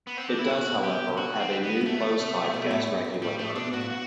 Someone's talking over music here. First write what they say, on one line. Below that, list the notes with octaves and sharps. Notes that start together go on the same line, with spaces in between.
It does, however, have a new closed-type gas regulator.
B3
C4
D4
E4
C3 F#4
B2
A2
B2
D3 G4
C3
D3 F#4
C4
B3
D3
E3 A3
C3
B2
A2
G2
F#2
G2
A2 G3
A2 A3
B2 D4
A2 F#4
G2
F#4